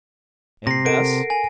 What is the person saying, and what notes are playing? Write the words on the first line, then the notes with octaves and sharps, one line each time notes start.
And Bess?
C3 A#6 C7
A4 A#4 F#5 D7
G#5